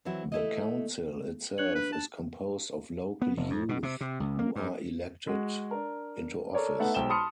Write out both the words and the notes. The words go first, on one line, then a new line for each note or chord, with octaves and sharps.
The Council itself is composed of local youth who are elected into office.
E3 F#3 C4 E4 F#4
A3 E4 D#5
D4 C#5 F#6 F#7
B4
A5
B3
F1
F2
B2
C3
C3
C#2
A#3
G2
G#3 F#4
D4 A#4
A4 A#4 C#5 D5
A3 B3 D#4 A4 E5 F#5
B1 G#3 C5 G5 E7 G7
A5 B5 C6 D#6 F6 C#7